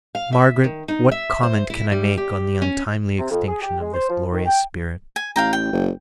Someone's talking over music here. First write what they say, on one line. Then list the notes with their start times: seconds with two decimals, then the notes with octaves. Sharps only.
Margaret, what comment can I make on the untimely extinction of this glorious spirit?
0.15 F5
0.33 E5
0.64 D#3
0.88 D#4
1.11 E5
1.43 C5
1.70 E4
1.92 G3
2.17 G4
2.62 C#4
3.18 C3
3.31 F2
3.48 G#4
3.62 G4
3.80 G#3
3.93 C5
4.09 F3
4.32 D#3
4.46 G5
5.16 G#5
5.36 A1 F5 G5 A#5
5.53 G5
5.73 F#1